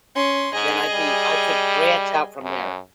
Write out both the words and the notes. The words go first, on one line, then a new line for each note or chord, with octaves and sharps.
Then I'd be I could branch out from there.
C#4 C6
G#2 G#4 D#5
G3
F#2